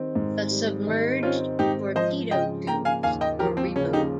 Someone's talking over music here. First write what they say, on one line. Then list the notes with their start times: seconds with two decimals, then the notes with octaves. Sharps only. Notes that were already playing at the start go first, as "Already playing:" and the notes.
The submerged torpedo tubes were removed.
Already playing: D#3 G3 C4
0.15 G#2
0.51 G3
0.87 D#3
1.23 C4 C#4 F4
1.59 G#2 D#4 G4
1.95 F3 C5 D#5
2.31 C#3 D#5 G5
2.67 A#3 G5 A#5
2.85 F5 G#5
3.03 D#2 F5 G#5
3.21 D#5 G5
3.39 F3 G4 A#4
3.57 C4
3.76 C#3 C#4
3.93 D#4 G4